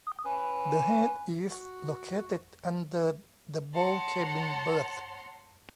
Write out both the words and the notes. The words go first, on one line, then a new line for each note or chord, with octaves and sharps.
The head is located under the bow cabin berth.
C#4 B4
F#4
C#5 F#5 A5 A#5 C6